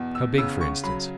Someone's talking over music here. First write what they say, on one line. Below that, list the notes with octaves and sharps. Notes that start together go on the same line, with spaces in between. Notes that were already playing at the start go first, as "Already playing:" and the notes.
"How big, for instance?"
Already playing: E2 B2
E6
C#3 E6
C#6
F#3 B5